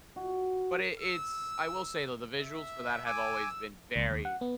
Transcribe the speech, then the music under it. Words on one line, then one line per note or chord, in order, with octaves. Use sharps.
But it it's I will say though, the visuals for that have always been very,
F#4
E6
E5
G#5 D6 E6
C#2
D#2
F#5
B3